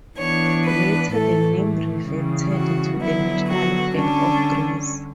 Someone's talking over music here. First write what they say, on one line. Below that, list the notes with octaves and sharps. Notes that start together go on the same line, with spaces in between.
Later the name reverted to the National Bank of Greece.
E3 B3 D4 C#5
B4
A2 E3 A3 A4
C#3 E3 G3
F#4
D3 F#3 B3 E4
F#4
D3 G3 C#4 D4